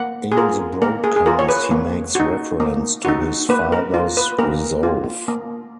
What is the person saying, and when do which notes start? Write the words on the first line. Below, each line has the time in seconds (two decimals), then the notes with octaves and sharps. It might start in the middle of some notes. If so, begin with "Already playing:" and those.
In the broadcast he makes reference to his father's resolve.
Already playing: A#3 F#5
0.32 G#4
0.37 F4 A#4
0.82 A#3 A#4
1.04 G#4
1.16 G#4
1.26 F4 A#4
1.39 C#5
1.49 B4
1.71 A#3
2.15 D#4 F#4
2.60 A#3
3.05 D#4 F#4
3.49 A#3 B4
3.72 A#4
3.94 F4
4.17 B4
4.39 A#3 A#4
4.83 F4
5.28 A#3